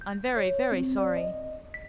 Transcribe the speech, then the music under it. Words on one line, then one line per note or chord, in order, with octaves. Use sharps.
"I'm very, very sorry."
G6
C#5
C4
D5
D#5
B6